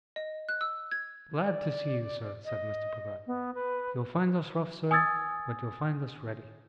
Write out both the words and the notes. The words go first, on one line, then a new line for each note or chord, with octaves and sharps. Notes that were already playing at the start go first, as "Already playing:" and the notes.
'Glad to see you, sir,' said Mr. Peggotty. 'You'll find us rough, sir, but you'll find us ready.'
D#5
F#6
E6
G#6
D5
D#5
B3
B4
G#5 D#6 E6 G#6 A6